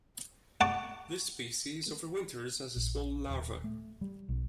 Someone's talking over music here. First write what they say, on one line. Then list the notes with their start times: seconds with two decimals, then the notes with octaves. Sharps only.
This species overwinters as a small larva.
0.61 F#5 A5 C#6 D6
2.76 A#1
3.29 D#1
3.64 A3
4.01 G3
4.29 B1